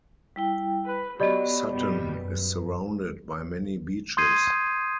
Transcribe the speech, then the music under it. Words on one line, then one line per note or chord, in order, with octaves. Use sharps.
Sutton is surrounded by many beaches.
G3 E4 G5
B4
F#3 B3 G4 D5 D#5 B5
G2 B2 G3
F#2 B4
C6 D#6 G6 G#6 C7 D#7